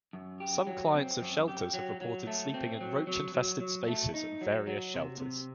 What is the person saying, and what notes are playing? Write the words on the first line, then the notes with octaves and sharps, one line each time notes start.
Some clients of shelters have reported sleeping in roach-infested spaces at various shelters.
F#2
G4
F#3
C4
F#2
G4
F#3
F#3
A3
C4
F#3
F#3
F#3
F#3
A3
D#4
F#3
F#3
C3
C3